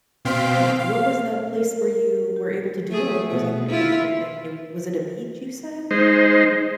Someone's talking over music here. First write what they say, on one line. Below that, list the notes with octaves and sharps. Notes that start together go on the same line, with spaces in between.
Nice. What was the place where you were able to do all of those activities? And and it was it a beach, you said?
B2 C4 F5 C6 B6 D7
F5
A#4
A#4
G4
A3 G#4
B2
E4 F4
G#3 D#4 C5